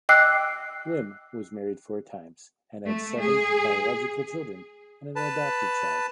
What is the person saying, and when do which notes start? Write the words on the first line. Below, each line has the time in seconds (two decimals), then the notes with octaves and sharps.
Lim was married four times, and had seven biological children and an adopted child.
0.09 D#5 G5 D6 E6 F#6 C7
2.87 A3
3.24 G#4
5.16 B4 A5